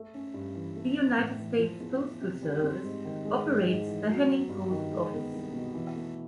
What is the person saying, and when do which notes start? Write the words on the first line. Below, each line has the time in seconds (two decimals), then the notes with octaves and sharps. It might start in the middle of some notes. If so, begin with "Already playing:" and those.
The United States Postal Service operates the Henning Post Office.
Already playing: A3
0.14 C#4
0.34 G2
0.55 E3
0.76 A3
0.97 D4
1.18 A2
1.39 E3
1.59 F3
1.80 E2
2.01 E2
2.21 C3
2.43 G3
2.63 C4
2.83 G#2
3.05 D#3
3.25 G#3
3.46 G#2
3.67 G#2
3.87 E3
4.08 F#3
4.29 B3
4.49 G2
4.71 D#3
4.92 G#3
5.12 B3
5.33 C2
5.53 B2
5.74 E3
5.96 A3